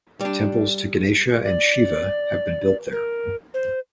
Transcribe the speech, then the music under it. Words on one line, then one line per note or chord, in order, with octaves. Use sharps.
Temples to Ganesha and Shiva have been built there.
G3 D4
D5
A#4
C5